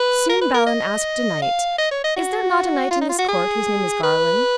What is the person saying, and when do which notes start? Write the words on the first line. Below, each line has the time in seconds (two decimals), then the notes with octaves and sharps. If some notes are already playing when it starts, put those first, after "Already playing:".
Soon Balin asked a knight, Is there not a knight in this court whose name is Garlon?
Already playing: B4
0.29 A#4
0.41 B4
0.54 A#4
0.66 D#5
1.42 F5
1.78 D#5
1.91 C#5
2.04 D#5
2.16 F#4
2.91 F4
3.01 D#4
3.09 F4
3.19 F#4
3.28 G#4
4.03 B4